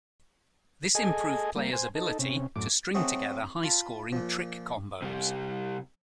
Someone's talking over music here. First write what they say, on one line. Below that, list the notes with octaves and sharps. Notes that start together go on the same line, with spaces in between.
This improved players' ability to string together high-scoring trick combos.
G#4 A4 D#5 G#5
G3 A#3
C5 G#5
D#4 A4
C3 C#4
F#2 A2 D6
F#3 A3 C4 D#4 F#4 G#4
F4 A5 B5
A#2 F3
C3 G3